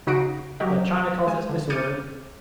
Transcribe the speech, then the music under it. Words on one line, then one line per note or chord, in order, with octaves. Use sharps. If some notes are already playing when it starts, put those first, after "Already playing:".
Their china closets disordered.
C#3 D#4 F#4 A#6 C7 D7
F#3 G4 A#4 D#5
G#3 G#5
D3
D6 F6 G6 A6 C#7 D#7